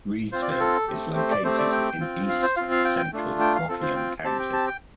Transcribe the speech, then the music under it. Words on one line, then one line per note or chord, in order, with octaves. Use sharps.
Reidsville is located in east central Rockingham County.
C4 F4 C5
D5
C5
A4
A3 C4 G4
C5
D5
A3 C4 G4 C5
D5
G5
C4 F4
F5
C5
C4 F4 F5
F5
G5
G5
A3 D4 F4
G5
F5
C4 F4 A4
C5
G5
C4 G4 A5
G5
A5
G5